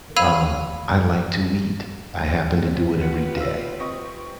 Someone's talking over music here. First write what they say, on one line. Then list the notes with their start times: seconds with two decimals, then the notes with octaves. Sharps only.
um, I like to eat. I happen to do it every day,
0.17 F5 B5 E6 G#6 D#7 F7
2.66 C4 F4 G4 B4
3.01 F#5
3.37 F5 E6
3.79 C4 D#5 C#6